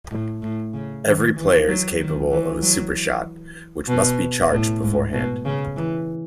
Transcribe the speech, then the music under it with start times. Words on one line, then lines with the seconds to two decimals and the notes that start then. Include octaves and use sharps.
Every player is capable of a "super shot", which must be charged beforehand.
0.11 A2
0.42 A2
0.74 C#3
1.05 D#3
1.36 E3
1.68 F#3
1.99 D#3
2.31 E3
2.62 F#3
3.88 B2
4.51 A2
4.82 G#2
5.13 B2
5.45 C#3
5.77 E3